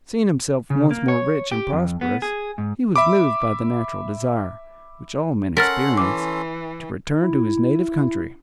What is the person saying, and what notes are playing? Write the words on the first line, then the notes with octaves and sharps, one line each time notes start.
Seeing himself once more rich and prosperous, he was moved by the natural desire, which all men experience, to return to his native country.
C#3
A#3
C#5
G4
F2
B3
G#4
G#2
E5 B5 D6
C#4 A4 A#4 F#5 C6 F6 A6 B6
E3 D6
E4